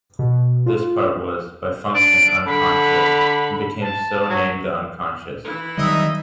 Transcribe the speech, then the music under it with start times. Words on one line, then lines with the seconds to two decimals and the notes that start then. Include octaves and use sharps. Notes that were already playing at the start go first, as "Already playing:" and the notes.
This part was, by function, unconscious, and became so named the Unconscious.
0.19 B2
0.66 F4
1.95 D4 D7
2.46 D3 B5
3.82 A5
4.30 F#3
5.44 E3 E4
5.78 D#3 F#3 G3 D#4 D#5 E5